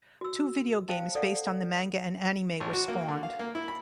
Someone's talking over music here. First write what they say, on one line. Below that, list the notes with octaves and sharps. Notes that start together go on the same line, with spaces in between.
Two video games based on the manga and anime were spawned.
F#4 E6
C5 F5 G5 A5
A4 C5 D5 F5 F#5
A1
F#4
A#3
D3
F5
A#3
E4
B5